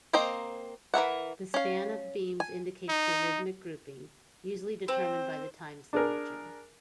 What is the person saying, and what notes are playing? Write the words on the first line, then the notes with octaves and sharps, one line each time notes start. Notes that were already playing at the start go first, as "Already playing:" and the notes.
The span of beams indicates the rhythmic grouping, usually determined by the time signature.
A#3 C4 C5 D#5 A#5
E3 A#4 E5 F#5
C#4 F5
G#5
D#4
C4 C5
D4 G#4 A#4